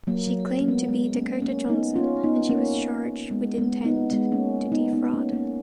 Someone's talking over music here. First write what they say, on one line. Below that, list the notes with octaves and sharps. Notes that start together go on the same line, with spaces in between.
She claimed to be "Dakota Johnson" and she was charged with intent to defraud.
F#3 A#3
F#3
A#3
G#3 B3
G#3 B3
A#3 C#4
A#3 C#4
B3 D#4
C#4 F4
B3 D#4
A#3 C#4
G#3 B3
G#3 B3
B3 D#4
G#3 B3
A#3 C#4
B3 D#4
B3 D#4
A#3 C#4
A#3 C#4